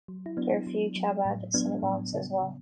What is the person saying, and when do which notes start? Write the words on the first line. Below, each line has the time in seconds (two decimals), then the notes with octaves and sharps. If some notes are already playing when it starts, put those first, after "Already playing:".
There are a few Chabad Synagogues as well.
0.08 F#3
0.26 E4
0.37 F#3 B3 D4
0.67 F#3
0.96 F#3
1.25 A2
1.54 F#3 B3 D4
1.83 A2
2.13 C#3
2.42 C#3